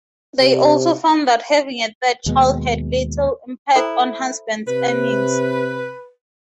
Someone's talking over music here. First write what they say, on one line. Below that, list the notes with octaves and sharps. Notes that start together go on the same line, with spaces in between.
They also found that having a third child had little impact on husbands' earnings.
C3
D#2 B2 G#3 B3
E4 A4 C5 A#5
C3 B4